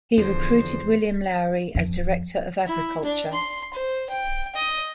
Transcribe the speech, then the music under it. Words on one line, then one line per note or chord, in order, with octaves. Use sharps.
He recruited William Lowrie as director of agriculture.
E2 D3 F3 C5
F2
E4
D4
C6
C5
G5
D#5